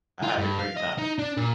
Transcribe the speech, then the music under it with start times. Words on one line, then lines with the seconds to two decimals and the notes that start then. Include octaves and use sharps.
I had a great time.
0.23 F4
0.39 G2
0.59 F5
0.77 D#5
0.98 D#4
1.19 D4
1.37 A#2